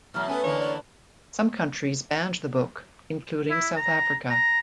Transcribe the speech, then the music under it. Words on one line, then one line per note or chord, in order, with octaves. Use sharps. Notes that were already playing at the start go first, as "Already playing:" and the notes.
Some countries banned the book, including South Africa.
B2 E3 F#3 A3 F6
A3 B3 C#4 B4 G#5
D3 E3 A#3 C#5
D5
E4
A#5
A#5